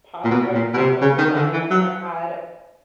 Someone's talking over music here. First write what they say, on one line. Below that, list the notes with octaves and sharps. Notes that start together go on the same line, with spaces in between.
past or this one lasagna that I had,
A#2
B2
A#2
B2
C3
C#3
D#3
D3
E3
F#3